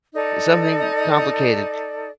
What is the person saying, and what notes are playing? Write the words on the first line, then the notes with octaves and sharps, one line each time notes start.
something complicated,
D#4 A4 D5